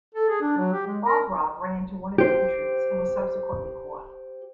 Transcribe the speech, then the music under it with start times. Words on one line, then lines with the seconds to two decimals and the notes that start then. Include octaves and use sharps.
Bogrov ran to one of the entries and was subsequently caught.
0.15 A4
0.29 G#4
0.41 D4
0.58 F#3
0.73 G4
0.87 G#3
1.05 A#4
2.18 G4 C5